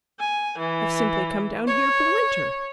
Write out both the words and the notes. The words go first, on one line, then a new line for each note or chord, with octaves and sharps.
I've simply come down here for the winter.
G#5
E3
C#5